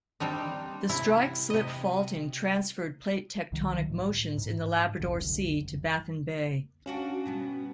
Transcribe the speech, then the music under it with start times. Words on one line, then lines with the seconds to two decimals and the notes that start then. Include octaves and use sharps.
The strike-slip faulting transferred plate-tectonic motions in the Labrador Sea to Baffin Bay.
0.20 G3 C4 D4 D#4
0.89 C3 E4
1.50 C3 D#5
3.52 C2 D#3 F#3
3.89 A2
4.38 G#2
5.00 F1 C2 F#2 D3
6.86 C#4 D4 F#4 F5
7.25 B2 G3 B3